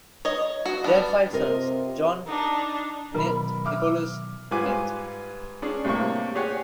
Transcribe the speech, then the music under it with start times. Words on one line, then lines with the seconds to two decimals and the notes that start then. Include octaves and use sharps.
They had five sons, John, Knt., Nicholas, Knt.
0.25 C#5 D#5
0.66 F#4
0.84 G3 B3 D4
1.33 C3 F4 A#4 D#5
2.26 D4 D#4
3.14 B2 D#3 F#3 A#4 B5
3.65 E5 D6 F6
4.51 G#2 G3 F4 B4 G#5 D6
5.62 C#4 D4 G#4
5.85 A2 C3 G3 A#3 C#6
6.35 G4 G#4 C#5 F#5 G#5